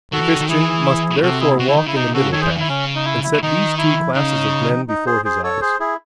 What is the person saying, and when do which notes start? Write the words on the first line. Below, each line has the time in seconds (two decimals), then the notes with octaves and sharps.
The Christian must therefore walk in the middle path, and set these two classes of men before his eyes.
0.12 D#3 F#4 A4
0.22 E3
0.30 D#3
0.40 D#3
0.49 E3 E4 G#4
1.22 C3 F#4 A4
1.40 E4 G#4
1.58 C3 F#4
1.68 C#3 E4
1.77 D#3 D#4
1.86 C#3 E4
1.95 C3 D#4
2.14 C#3 F#4 A4
2.32 D#3 A4 C#5
2.41 E3 G#4 C5
2.57 D#3 E4
2.69 C#3 C#4
2.95 D#4
3.05 E4
3.24 E4
3.42 D#3 D#4
3.78 E4
4.15 C#3 D#4
4.89 D#4
5.06 G#4 C5
5.25 G#4 C5
5.43 A4 C#5
5.61 G#4 C5
5.80 E4 G#4